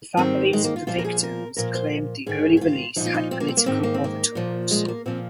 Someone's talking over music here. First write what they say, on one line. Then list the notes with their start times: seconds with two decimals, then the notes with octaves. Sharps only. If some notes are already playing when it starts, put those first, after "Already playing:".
The families of the victims claimed the early release had political overtones.
0.17 G#2 D#3 C4
0.53 G#3
0.64 A#3
0.76 F4
0.87 A#2 F3 F4
0.99 A#4
1.05 G#4
1.23 A#4
1.57 A#2 F3 A#4
1.75 C5
2.26 G#2 D#3 G#4
2.57 G#4
2.61 F4
2.96 A#2 F3 D#4
3.06 F4
3.14 D#4
3.31 C4
3.40 A#3
3.48 C4
3.57 A#3
3.66 G#2 D#3 C4
3.83 A#3
3.94 C4
4.04 A#3
4.35 A#2 F3
4.71 G#3
4.88 A#3
5.06 A#2 F3 C4